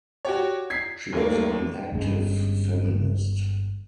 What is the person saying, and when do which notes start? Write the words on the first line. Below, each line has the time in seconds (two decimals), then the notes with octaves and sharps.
She was an active feminist.
0.25 F#4 G4 C#5
0.70 G#6 B6 C7
1.13 D#2 A3 A#3
1.92 G1 G2 G#3 C#4